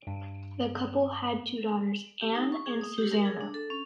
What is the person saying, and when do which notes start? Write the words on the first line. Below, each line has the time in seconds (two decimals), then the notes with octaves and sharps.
The couple had two daughters, Anne and Susannah.
0.07 G2
2.21 G4
2.35 D#4
2.52 C#6
2.66 G#4
2.81 D#6
2.98 G4
3.12 A#4
3.25 G#4
3.41 D4
3.54 A4
3.70 C#4